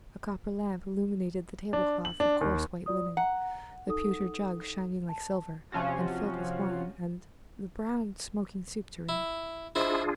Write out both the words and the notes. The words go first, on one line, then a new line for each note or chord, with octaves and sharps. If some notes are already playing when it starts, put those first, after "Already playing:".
A copper lamp illuminated the tablecloth of coarse white linen, the pewter jug shining like silver, and filled with wine, and the brown, smoking soup-tureen.
D4
F#7
D4
D#2
F4 D5 D#6
F#5 A#5
D#4 A4 D#6
A5
C3 F3 C#4 F4 F#4
E4
D4 E4 F4 G#4 C5 D#5